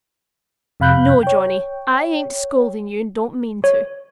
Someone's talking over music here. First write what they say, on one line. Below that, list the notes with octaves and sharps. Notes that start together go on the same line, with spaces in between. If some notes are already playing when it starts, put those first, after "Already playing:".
No, Johnny, I ain't scolding you, and don't mean to.
F2 C3 F5 B5 F#6 G6
C#5 G5
C#5